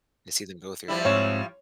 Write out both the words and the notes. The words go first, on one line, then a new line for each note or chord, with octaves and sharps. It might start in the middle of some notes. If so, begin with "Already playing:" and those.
And to see them go through that.
F3 G3 E4
G#2 C4 C#5